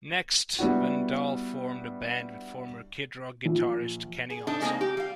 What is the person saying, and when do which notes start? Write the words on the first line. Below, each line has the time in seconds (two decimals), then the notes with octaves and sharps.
Next, Van Dahl formed a band with former Kid Rock guitarist Kenny Olson.
0.59 G3 B3 D4 E4 F#4
3.46 A#1
4.30 G#4
4.47 D4 D#4 A4
4.61 G#3 A#3 C4 C#4 D#4
4.81 G4
4.97 G3 F5